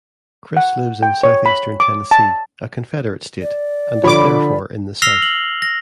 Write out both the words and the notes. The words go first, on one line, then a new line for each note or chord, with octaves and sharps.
Chris lives in southeastern Tennessee, a Confederate state, and is therefore in the South.
F#5
G5
C#5
B5
D6
A5
D5
D3 F3 C#5 B5 D6
E6 F6 A#6 C7 F7 G7
F#7
A#6